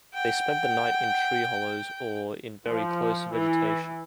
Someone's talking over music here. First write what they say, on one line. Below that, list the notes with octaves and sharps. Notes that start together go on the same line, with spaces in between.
They spend the night in tree hollows or in very close vegetation.
F#5 G5
F3
E3